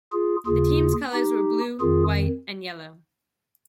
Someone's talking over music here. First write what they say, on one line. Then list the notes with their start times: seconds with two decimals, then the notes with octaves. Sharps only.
The team's colors were blue, white and yellow.
0.13 F4 G#4
0.46 D#2 C#3 F4 G#4
1.13 D#4 G4
1.80 F2 D#3 F4 G#4